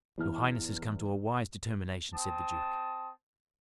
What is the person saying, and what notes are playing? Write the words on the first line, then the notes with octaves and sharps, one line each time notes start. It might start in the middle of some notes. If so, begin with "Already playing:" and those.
"Your highness has come to a wise determination," said the duke.
E2 E4 F6
C4 A5 D#6